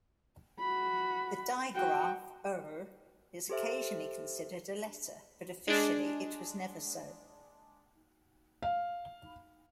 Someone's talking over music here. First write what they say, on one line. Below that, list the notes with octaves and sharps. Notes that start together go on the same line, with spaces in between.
The digraph "rr" is occasionally considered a letter, but officially it was never so.
F#4 B5
F#4 G5
G4 A4 C5 E5
G#3 D4
F5